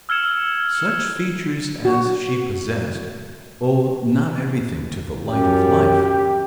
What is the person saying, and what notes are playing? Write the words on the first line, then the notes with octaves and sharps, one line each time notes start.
Such features as she possessed, owe not everything to the light of life.
E6 F6 G#6 C#7 E7
F#4
F#2 G4